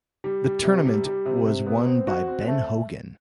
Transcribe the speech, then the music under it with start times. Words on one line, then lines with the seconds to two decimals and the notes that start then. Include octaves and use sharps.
The tournament was won by Ben Hogan.
0.24 G3
0.44 G3
0.65 C3
0.86 G3
1.05 G3
1.26 C3
1.45 C3
1.66 B3
1.86 C4
2.07 F#4
2.28 C4
2.48 A3